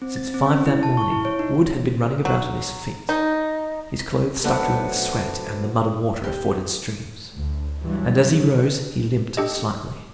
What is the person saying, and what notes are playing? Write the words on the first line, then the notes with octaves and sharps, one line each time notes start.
Since five that morning Wood had been running about on his feet, his clothes stuck to him with sweat and the mud and water of forded streams, and as he rose he limped slightly.
C4
A6
C4
C#4
E4
A5
C#6
E4
C#5
D#4
F#3
D#4
F#3 A3 B3 C4 D4 F#4
G4
D2
G2 E3 F#3
D4 G4 A4 D#5